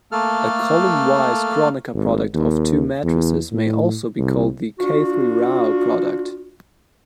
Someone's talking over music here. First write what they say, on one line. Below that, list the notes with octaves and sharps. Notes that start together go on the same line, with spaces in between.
A column-wise Kronecker product of two matrices may also be called the Khatri-Rao product.
A3 A#3 A4 F6
G#1
D#2
E2
A2
C2
D4 F4 F#4